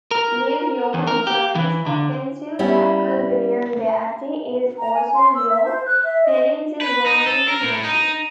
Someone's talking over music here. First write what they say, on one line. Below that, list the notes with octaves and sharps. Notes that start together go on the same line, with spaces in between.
New York Giants Offensive Tackle William Beatty is also a York, Pennsylvania native.
A#4
E2
A#4
G4
E3
D3
G3 B3 C#4 E4
A#5
G#5
C6
E6
E5
C5
F#6
E5
D#5
B4
D#4
A4
A#4
A2
D#4